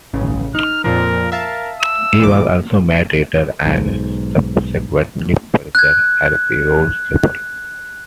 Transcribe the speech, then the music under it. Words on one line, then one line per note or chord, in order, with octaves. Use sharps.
He was also made Reader, and subsequently Preacher, at the Rolls Chapel.
A1 C#3
D#4 F6
F2 A#2 F3 A#4
A#4 E5 F5 A5
E6
A#2 E3 D6
B1 G#2
F#6 G#6